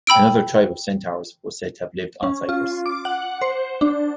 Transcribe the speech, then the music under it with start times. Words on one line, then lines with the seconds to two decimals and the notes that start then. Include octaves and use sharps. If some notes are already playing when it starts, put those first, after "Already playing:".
Another tribe of centaurs was said to have lived on Cyprus.
0.07 G5 B5 E6 D7
2.23 C#4
2.49 F4
2.86 D6
3.05 F#5
3.41 C5
3.81 D4